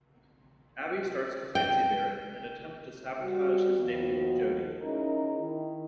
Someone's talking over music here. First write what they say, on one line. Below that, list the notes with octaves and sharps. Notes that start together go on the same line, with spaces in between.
Abi starts to fancy Darren, and attempts to sabotage his dates with Jodie.
G5
G3 F#4
D#2 D#3 F3 B3 F#4
C#4 D#4 E4 G#4 A#4 D#5
D#3 E4